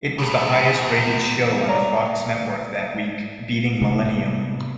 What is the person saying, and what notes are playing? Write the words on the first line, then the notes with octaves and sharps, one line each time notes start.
It was the highest-rated show on the Fox network that week, beating "Millennium".
E2 B2
C#5 D5 A#5
C3 A#3 B3 D4